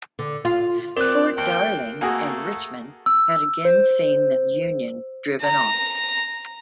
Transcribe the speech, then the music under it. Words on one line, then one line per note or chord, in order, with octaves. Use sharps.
Fort Darling and Richmond had again seen the Union driven off.
D3
F4
C4 A#4 D5 F#6
D#2 G5
A3 A#3 F#4 G#4
E6
C5
A#5